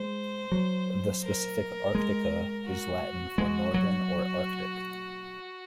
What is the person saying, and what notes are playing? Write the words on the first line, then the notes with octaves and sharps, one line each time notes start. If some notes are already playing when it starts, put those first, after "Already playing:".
The specific "arctica" is Latin for "northern" or "Arctic".
Already playing: G#3 C5
F#3
A#4
G#3
F#4
G#3
F#3